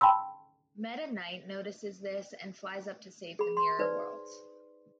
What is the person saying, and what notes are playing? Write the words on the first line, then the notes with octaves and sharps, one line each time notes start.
Meta Knight notices this, and flies up to save the Mirror World.
G5 A5 B5 C6 E6
G#4 B5
C6
D#4 B4 C5 D5